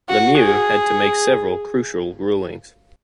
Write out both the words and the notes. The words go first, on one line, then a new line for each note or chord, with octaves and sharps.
Lemieux had to make several crucial rulings.
F#4
G#4